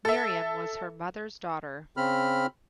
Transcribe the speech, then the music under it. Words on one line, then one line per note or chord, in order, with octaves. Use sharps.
Miriam was her mother’s daughter.
A4 E5
C#3 C4 B5 F6